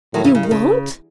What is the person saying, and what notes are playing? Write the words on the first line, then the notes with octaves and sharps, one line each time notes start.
"You won't!"
A2 D#3 F#3
C#3 E3
C#3
D#3
C#3